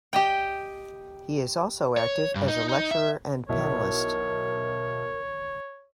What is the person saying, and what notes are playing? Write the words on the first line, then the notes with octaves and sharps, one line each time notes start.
He is also active as a lecturer and panelist.
G4 D#5 G5
C#5
G2
D#4
D#4
E5
B1 E4 A#4 C#5